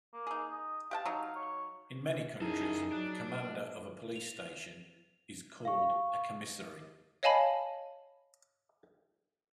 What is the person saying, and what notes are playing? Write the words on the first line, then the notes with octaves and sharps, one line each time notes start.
In many countries, the commander of a police station is called a commissary.
A#3
D#4 G#4
D#5
G4 F5 F#5 A5
F#3 D#4
C#5
F#2 D#4 E4 G#4 A4 E5 A#5
F#3 D4 F#6 D7
F7
F5 C#6
C#5 D#5 F5 G#5 A5 B5